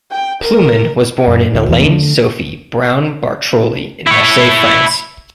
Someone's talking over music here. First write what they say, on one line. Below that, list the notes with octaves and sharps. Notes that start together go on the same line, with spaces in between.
Plewman was born Eliane Sophie Browne-Bartroli in Marseilles, France.
G5
A#4
F#2
D2
E2 E3 A#3
D3 A3
E4 C#5